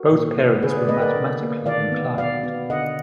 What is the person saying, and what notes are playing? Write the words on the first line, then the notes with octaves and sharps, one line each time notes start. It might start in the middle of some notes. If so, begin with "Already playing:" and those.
Both parents were mathematically inclined.
Already playing: F#4 A#4
A#2
B3
D3 G#4 B4
D5
B3 B4 D#5
A#4 D5
D3
A#3
D#3 D5 F5
B3
B2 D5 F5
B3
D3 D#5 F#5